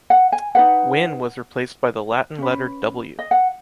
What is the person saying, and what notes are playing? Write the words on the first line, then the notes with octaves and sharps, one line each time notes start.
Wynn was replaced by the Latin letter .
F#5
G#5
D#4 B4 F#5
C#4 B4
D#5
F#5